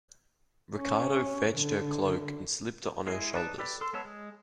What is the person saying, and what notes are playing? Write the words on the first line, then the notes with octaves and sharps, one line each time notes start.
Ricardo fetched her cloak and slipped it on her shoulders.
C#4
D3
G#3 E4 G#4 D#5
D#4 B4 D5 A5
G4 A4 B4 D5
A4 C6 E6
G#3 B3 C#5 A5 E6
G#3